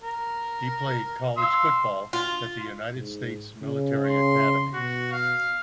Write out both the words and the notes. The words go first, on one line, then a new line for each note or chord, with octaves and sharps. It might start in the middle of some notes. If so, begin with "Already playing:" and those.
He played college football at the United States Military Academy.
A#4
F5 C6 E6
F4
G#2
C#3
C6
B2 F#4
F5